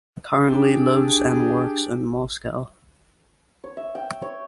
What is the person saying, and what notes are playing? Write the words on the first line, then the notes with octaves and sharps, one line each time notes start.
Currently lives and works in Moscow.
D4 G4 G#4
C#5
E5
G5
C#5